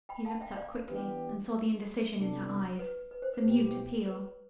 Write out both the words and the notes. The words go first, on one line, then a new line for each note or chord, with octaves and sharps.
He looked up quickly and saw the indecision in her eyes, the mute appeal.
G5 B5
F5 A5
E5 G5
D5 F5
E3 B3 D4 G4 B4
C3 G3 B3 D4 A4
B4
B4
C5
B4
B2 B3 E4 G4
B4